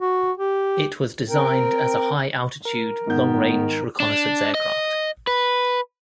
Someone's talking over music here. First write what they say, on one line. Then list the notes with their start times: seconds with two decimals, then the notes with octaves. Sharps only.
It was designed as a high altitude long-range reconnaissance aircraft.
0.01 F#4
0.38 G4
1.29 C4 A#4 G5
2.65 A#4
3.07 G#2 D#3 B3 G6
4.00 D4
4.54 D#5
5.27 B4